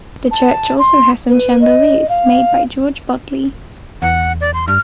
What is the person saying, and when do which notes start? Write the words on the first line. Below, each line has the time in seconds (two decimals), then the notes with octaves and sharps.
The church also has some chandeliers made by George Bodley.
0.31 A5
0.79 C6
1.29 B4
1.61 D#5
2.09 F5
4.02 E2 F#5
4.41 D5
4.54 C6
4.68 G2 F6